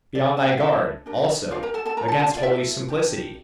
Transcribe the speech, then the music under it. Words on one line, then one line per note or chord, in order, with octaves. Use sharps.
Be on thy guard, also, against holy simplicity!
D4 A4 D5
A5
G5
F5
D4 E4 A4 E5
D4 G4 A#4
D4 F4 G4 A#4 F5
A#4 A#5
A4 A5
A4 A5
F4 A4 A#4 A#5
A4 A5
A4 A5
F4 F5
D5
E4 F4 A4 E5
D4 G4 A#4